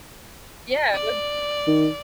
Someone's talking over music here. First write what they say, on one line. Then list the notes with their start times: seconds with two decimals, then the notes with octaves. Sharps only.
Yeah, it was mm,
0.95 D5
1.67 D#3